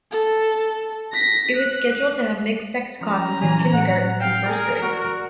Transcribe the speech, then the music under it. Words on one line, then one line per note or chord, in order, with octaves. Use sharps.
It was scheduled to have mixed-sex classes in Kindergarten through first grade.
A4
A#6 B6
F#6
F3 C#4 A#5
A#2 E3 G#5
A2 F#5
F5 G5
G#4 A#4 D5
F#4